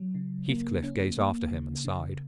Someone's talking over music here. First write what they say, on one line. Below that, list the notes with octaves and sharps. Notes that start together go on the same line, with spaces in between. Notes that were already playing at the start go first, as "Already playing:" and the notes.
Heathcliff gazed after him, and sighed.
Already playing: F#3
C#3
A#3
C#4
A#3
C#3
C#3